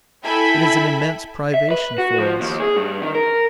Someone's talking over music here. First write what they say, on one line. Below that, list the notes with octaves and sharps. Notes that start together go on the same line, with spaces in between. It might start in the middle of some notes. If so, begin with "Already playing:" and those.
It is an immense privation for us.
E4 A4 E5 G5 G#5 B5
E5
B4
F#4
F3
D#2
G#4
G2
D#3
A#4